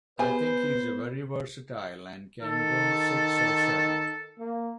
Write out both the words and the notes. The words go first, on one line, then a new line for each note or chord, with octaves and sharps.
I think he is very versatile and can go six or seven.
B3 G4 G#4 B4 C5 G#5
D#3 A4
A#3